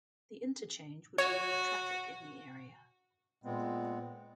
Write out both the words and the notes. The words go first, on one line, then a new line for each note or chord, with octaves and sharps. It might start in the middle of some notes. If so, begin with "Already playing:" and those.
The interchange would relieve traffic in the area.
F#4 C#5
A#2 G#3 B3 C4